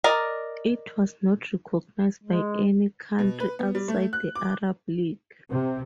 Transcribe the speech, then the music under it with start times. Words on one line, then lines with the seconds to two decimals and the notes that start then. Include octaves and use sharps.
It was not recognized by any country outside the Arab League.
0.04 A#4 D5 D#5
2.24 G#3
3.19 B2
3.40 B4
3.59 B3
3.75 G3
3.88 A3
4.13 F#6
4.35 D6
5.50 C3